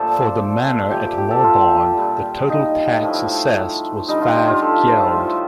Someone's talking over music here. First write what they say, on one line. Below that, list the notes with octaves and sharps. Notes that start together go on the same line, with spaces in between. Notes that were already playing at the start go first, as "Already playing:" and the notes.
For the manor at Morborne the total tax assessed was five geld.
Already playing: A#2 F3 A3 A4 C5 D5
A#2 A3 G4
G4
G4
A4
F4
A#2 G3
D#4
A2 F3 A3
D3 G3 D#4
F4
G4
F4
A4
C5
A2 A3